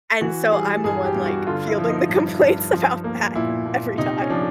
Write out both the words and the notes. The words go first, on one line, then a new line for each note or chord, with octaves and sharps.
And so I'm the one, like, fielding the complaints about that every time.
E3 F#4
G3 G#4
G2 G#4
G4
G2
F#4
D3 F4
E4
F3
D#4
G2
G2
F3
A#3
A#2 E4
A#2
C3 D#4
C#4
F3 D4